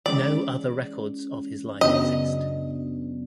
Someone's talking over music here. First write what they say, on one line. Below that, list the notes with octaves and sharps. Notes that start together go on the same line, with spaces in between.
No other records of his life exist.
E3 G#3 C#4 D5
F#2 C#3 F#3 B3 D4 D#5